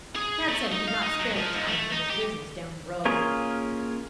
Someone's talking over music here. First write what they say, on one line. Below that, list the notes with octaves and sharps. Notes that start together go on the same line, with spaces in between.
Tad said he could not spare the time from his business down the road.
G#4
A3
D#4
F5
D#4
F#3
F3
G#2
A3
D#4
G4
A#3 C#4 F4 G#4 A#4